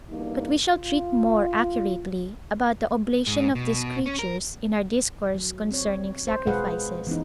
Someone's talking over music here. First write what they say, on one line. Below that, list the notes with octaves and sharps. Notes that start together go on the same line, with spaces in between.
But we shall treat more accurately about the oblation of these creatures in our discourse concerning sacrifices.
E2 G2 A#3 D#4
F4
G#2
B2
C#4
A#4
F#3
C4 C#5
C5
B2 G#3 G#4 B4 F5 F#5
E3 B3 C#4 D#4